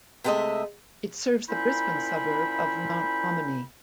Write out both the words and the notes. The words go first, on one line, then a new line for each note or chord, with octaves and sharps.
It serves the Brisbane suburb of Mount Ommaney.
C3 G#3 A3 G#4 D#5 E5
A#2 C#4 E4 C5 G5 B5